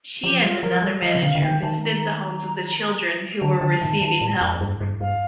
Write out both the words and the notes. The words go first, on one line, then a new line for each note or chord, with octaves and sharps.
She and another manager visited the homes of the children who were receiving help.
F3 G4
G3 F4
F3 A#4
G3 A4
F3 D#5
C3
D3 F5
D3
D#3 G5
D#3 A5
A#5
D3 A5
D3
D#3
D#3
A2
F2
G2
G2
G2 F5